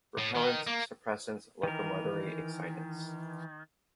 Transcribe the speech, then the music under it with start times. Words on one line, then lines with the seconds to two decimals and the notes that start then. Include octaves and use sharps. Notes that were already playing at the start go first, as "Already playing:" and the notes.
Repellents, suppressants, locomotory excitants.
0.18 A2
0.35 D#3
0.67 A#3
1.63 D#3 E3 A#4